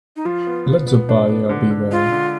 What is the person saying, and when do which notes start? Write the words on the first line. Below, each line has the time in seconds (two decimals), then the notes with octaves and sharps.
Let the buyer beware.
0.16 D#4
0.25 F3 F4
0.47 B3
0.67 B3
0.87 B3
1.09 D4
1.29 B3
1.49 D3
1.71 D3
1.91 G#3 F4
2.12 D3